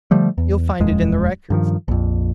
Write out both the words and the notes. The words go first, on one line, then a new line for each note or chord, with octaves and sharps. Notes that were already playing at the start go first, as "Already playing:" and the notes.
You'll find it in the records.
D3 F3 G3 A3
E2
D#1 F2 G#3
G2 D#3 F3
A#1 F2